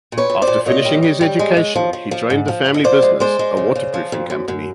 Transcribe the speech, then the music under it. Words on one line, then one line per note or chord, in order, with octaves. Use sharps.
After finishing his education, he joined the family business, a waterproofing company.
A#2
B4 C#5
A#2
C5 D5
A#2
A#2 C#5 D#5
G3
G3
G3
G#3
G#3
F3
F3
F3
G#2
F3
G#2
D#5
F3 C5 D5
G#3
G#3 C5 D5
G#3
C#3
C#3
F3
F2
F#2
F#2